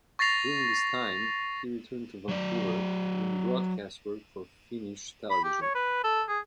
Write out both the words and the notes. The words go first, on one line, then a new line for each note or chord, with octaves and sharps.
During this time, he returned to Vancouver, doing broadcast work for Finnish television.
C#6 A6 A#6 C7 F7
F#3 D5
B5
G4
C#5
B4
A4
G#4